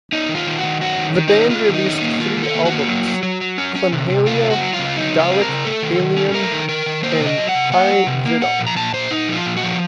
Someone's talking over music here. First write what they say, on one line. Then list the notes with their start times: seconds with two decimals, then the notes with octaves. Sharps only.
The band released three albums, "Clymhalio", "Dalec Peilon" and "Hei Vidal!".
0.12 C#4 D#4
0.29 D#3
0.35 F4
0.46 D#3
0.59 D#3 F#4
0.81 C#4 F#4
0.98 D#3
1.15 D#3
1.28 D#4
1.33 C#4
1.50 C#4 F4
1.68 D#3
1.74 D#4
1.84 C#4
1.96 D#4
2.02 A#3
2.19 D#3 F4
2.37 D#3
2.43 A4
2.55 A#3
2.65 F#4
2.72 A#3
2.89 F#3
3.06 F#3
3.23 F#3
3.41 F#3
3.58 C#4
3.76 C#4
3.92 C3
4.10 C3
4.26 C#3 F4
4.45 C#3
4.50 F#4
4.61 F#3
4.73 F4
4.79 C#3
4.96 F#3 D#4
5.14 C#3
5.20 F4
5.31 C4
5.42 A#4
5.49 C#3
5.65 A3 A4
5.82 D#3
6.00 D#3
6.16 C#4
6.34 A3 A#4
6.52 D#3
6.69 D#3 A#4
6.86 D#3
7.03 A#3 C5
7.20 C3
7.26 D#5
7.38 F#3
7.49 F#5
7.55 C3
7.72 A#3 F#5
7.90 F#3
8.07 C3
8.25 A#3
8.42 A#2 F#5
8.59 F3
8.67 A#5
8.76 A#2 A5
8.93 A#2 C5
9.11 A#2 D#4
9.28 F3
9.34 F4
9.46 A#2
9.57 F#4
9.63 F3